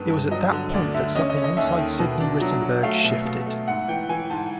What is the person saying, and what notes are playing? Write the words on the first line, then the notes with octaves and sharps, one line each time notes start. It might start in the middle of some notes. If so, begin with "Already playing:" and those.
It was at that point that something inside Sidney Rittenberg shifted.
Already playing: G2 D#3 G#3 B3
G2
F#3 D#5
D3
D2 D5
D3 E5
C#4 D#5
D#5
C#4
D#5
D#2 E5
D#3
B2
D4
F#3
F#3
A3 F5
B2
B2
A3
G#2 F#5
E3 G5
E3 G#5
G#2 A5